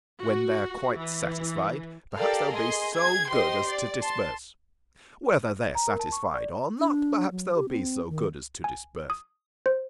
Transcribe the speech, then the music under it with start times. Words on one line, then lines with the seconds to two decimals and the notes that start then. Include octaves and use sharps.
When they’re quite satisfied, perhaps they’ll be so good as to disperse; whether they’re satisfied or not, perhaps they’ll be so good as to disperse.
0.22 F#4
0.97 E3
2.15 G4 A4 A#4 D5 F5
2.53 G#4 D#5 C6
2.93 G#4 G#6
3.29 G4 C5 D#5 C6
3.68 D5
4.00 A5 C6
5.75 A#5
5.88 A#4
5.99 A5
6.12 C#6
6.34 D5
6.78 D4
7.31 F#3
7.55 G4
7.69 C4
8.09 D#3
8.64 G#5
9.10 D#6
9.66 C5